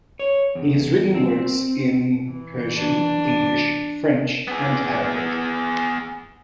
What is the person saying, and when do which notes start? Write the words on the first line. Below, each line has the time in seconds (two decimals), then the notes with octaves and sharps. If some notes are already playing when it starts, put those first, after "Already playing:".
He has written works in Persian, English, French, and Arabic.
0.19 C#5
0.55 E2
1.15 C4
2.26 E3
2.76 D4
4.48 B3 G#4